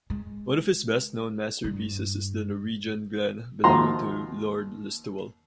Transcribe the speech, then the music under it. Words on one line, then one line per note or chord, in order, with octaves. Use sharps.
One of his best-known masterpieces is the Norwegian glen belonging to Lord Listowel.
G#3
G2
D#2 F3 F#4 A#5 C6